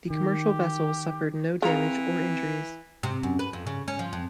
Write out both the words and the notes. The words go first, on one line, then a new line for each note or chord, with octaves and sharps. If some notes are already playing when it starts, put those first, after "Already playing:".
The commercial vessel suffered no damage or injuries.
D#3 G4
E3 C4 F4 G#4 A#5
C3
F#2
B4
F2
C#3
C#4
F3
F2